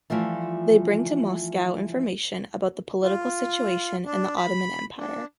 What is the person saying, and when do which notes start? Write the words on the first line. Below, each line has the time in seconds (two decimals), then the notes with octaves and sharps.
They bring to Moscow information about the political situation in the Ottoman Empire.
0.10 E3 F3 G3 A3 F4
3.03 F4
4.06 D4
4.37 B5
4.98 D4